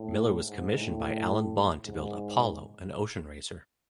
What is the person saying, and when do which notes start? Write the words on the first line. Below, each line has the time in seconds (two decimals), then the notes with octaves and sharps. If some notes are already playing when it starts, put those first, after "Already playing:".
Miller was commissioned by Alan Bond to build "Apollo", an ocean racer.
Already playing: A2
0.43 G#2
0.78 A2
1.85 G#2